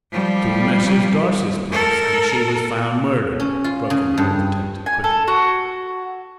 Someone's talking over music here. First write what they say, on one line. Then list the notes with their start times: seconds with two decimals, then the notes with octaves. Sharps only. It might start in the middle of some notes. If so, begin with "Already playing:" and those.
"To Mrs. Darcy's place, and she was found murdered!" broke in the old detective quickly.
0.12 F3 G3
1.72 A4 A#4
3.40 C#4
3.64 F4
3.90 C#3
4.18 G2
4.86 G#5
5.04 A4
5.28 F#4